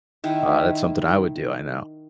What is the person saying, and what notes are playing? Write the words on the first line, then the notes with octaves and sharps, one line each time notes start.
Uh, that's something I would do, I know.
D#3 E4